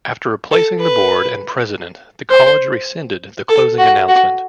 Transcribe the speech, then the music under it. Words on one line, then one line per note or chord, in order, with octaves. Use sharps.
After replacing the board and president, the college rescinded the closing announcement.
A4
B4
C5
A4
F#4
F#4